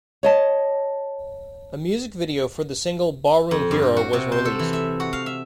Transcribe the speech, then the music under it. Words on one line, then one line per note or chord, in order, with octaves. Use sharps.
A music video for the single "Barroom Hero" was released.
C#5 D#5 A5
F2
G2
F#4
C3
C5
A4
E3
E5
F#4
F5
E5